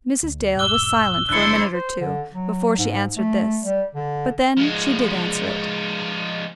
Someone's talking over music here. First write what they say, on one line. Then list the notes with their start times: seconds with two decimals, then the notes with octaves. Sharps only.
Mrs. Dale was silent for a minute or two before she answered this, but then she did answer it.
0.23 D2
0.59 E1 G#2 D6 E6 F#6 G7
1.29 G1 F#2 D3 D4 E4 C5 F#6 C#7
1.74 C5
2.01 D3
2.34 F#3
2.78 G#2
3.17 A3
3.62 G3
3.95 D3
4.57 F3 G#3